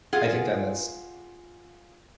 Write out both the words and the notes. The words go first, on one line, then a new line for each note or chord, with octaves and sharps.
I think that that's
F4 G#4 F#5